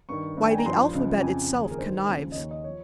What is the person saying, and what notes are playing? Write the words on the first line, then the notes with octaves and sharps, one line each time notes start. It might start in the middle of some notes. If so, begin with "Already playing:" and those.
Why, the alphabet itself connives.
G2 D#3 C#6
G2 D#3
G5
G#5
A#5
G2 F3 C6
C#2 C#3 F3
F2 C#3 F3 G#5
D#2 C#3 F3
G#4
A#4
G2 D#3 C5
D#2 C#3 F3
D#5
D#2 D#3 C#5
D#5
F3 C#5